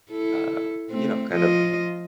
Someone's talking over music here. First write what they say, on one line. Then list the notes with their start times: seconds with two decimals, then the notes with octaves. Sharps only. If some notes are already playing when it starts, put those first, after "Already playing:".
uh, you know, kind of,
0.11 E4 A4
0.91 A3 C4
1.33 F3 F4 D#5